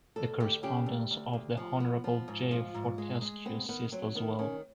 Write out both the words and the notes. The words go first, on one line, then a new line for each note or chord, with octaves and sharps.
The correspondence of the Honorable J. Fortescue ceased as well.
D2 A4
D2 G4
C#3 G4
D2
D2
D2
F3
B3
F3
G#2
F3 F4
G#2
G#3
G#3
B3 C4
D#3 B3
F#3 C4
D#3 B3
D#3 C#4